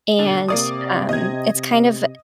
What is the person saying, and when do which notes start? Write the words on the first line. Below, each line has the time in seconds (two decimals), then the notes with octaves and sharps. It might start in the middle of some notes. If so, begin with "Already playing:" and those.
and, um, it's kind of
0.19 B2 D3
0.48 C3 A#3 D5 D#6
1.09 D#5 G#6
1.54 C3